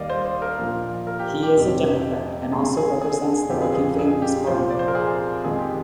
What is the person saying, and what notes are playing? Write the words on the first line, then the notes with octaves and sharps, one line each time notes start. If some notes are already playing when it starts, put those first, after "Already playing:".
He is a Democrat and also represents the Working Families Party.
Already playing: D#2 D#3 G3 A#3 D5 D#5 F5
C5
C5
A#4
A#1 A#2 F3
A#4
G4
G4
F1 F2 C3
A#1 A#2 G#3 G#4
G#4
G#4
G#4
F2 D3 F3 G4
G#4
G#4
G#4
G4
C2 A#2 F3 A#3 C5
D5
C5
A#4
G#4
F2 D#3 G#3 G#4
G4